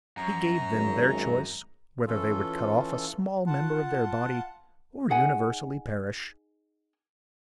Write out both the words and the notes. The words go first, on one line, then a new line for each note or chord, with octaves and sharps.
He gave them their choice, whether they would cut off a small member of their body, or universally perish.
F#2 A#5
G#1
E3 C#4 F4 A4
F4 F#5 A5
D#4 G#4 F#5 G#5